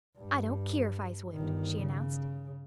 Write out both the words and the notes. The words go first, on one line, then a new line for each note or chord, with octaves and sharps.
"I don't keer if I is whipped," she announced.
G2
G1 D#3
C#3